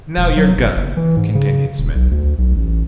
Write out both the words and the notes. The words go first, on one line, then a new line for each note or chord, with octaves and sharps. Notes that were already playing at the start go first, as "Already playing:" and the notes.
"Now your gun!" continued Smith.
E1
F#3
G1
F#1
E3
G#2
C#3
D#1
B1
D2
B1
A1